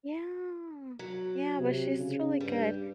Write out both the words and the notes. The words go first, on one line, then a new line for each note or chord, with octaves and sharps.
Yeah. Yeah, but she's really good.
F#3
C3
C#3
G2 G3